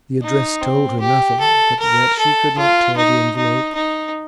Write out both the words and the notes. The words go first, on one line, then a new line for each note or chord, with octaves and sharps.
The address told her nothing, but yet she could not tear the envelope.
D#4
C4
G4
A4
A#4
A4
F4
D#4
D#4
D#4